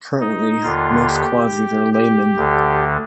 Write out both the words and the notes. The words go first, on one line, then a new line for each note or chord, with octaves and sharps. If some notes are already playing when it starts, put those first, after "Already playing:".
Currently most Quazis are laymen.
D#4
D#2 D3 F4
G4
G4
D2 D3